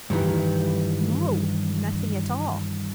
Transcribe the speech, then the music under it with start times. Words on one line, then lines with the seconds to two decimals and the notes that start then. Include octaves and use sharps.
"No, nothing at all."
0.10 G2 D#3 E3